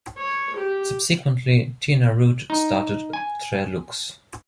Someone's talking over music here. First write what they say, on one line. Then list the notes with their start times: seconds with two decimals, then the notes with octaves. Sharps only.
Subsequently, Tina Root started Tre Lux.
0.17 C#5
0.57 G4
2.50 D#4
3.13 G#5